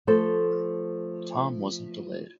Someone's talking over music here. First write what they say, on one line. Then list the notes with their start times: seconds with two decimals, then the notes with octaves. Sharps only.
Tom wasn't delayed.
0.07 F3 A3 A4 C5